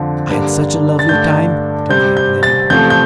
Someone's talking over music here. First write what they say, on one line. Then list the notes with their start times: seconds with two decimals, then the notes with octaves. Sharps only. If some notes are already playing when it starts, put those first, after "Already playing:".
"I had such a lovely time," declared Nettie.
Already playing: F2 D3 F3 C4
0.29 G2 D3 G3 A#3 D4
0.99 A6
1.09 G2 D3 A3 D4 G6
1.89 C3 G3 C4 G6
2.17 G6
2.43 A6
2.70 E2 C3 F3 A3 C4 G6
2.90 G6